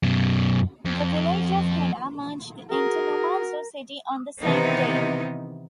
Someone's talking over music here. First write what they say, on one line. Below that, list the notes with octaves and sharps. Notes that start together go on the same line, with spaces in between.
The village of Heda merged into Numazu City on the same day.
F#2 B2
F2
F#4 G#4 A#4
C3 D#3 E3 B3 D#4